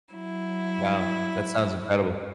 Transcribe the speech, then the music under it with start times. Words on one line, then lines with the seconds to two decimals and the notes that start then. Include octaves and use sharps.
Wow, that sounds incredible.
0.14 F#3 E4